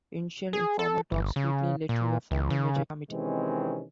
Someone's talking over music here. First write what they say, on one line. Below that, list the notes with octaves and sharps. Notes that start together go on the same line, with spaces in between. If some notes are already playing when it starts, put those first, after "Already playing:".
Initial informal talks quickly led to a formal merger committee.
G#4
A4
G1
C#3
A#2
C#2
C#3
C3 D#3 E3 G#3 C4 C#4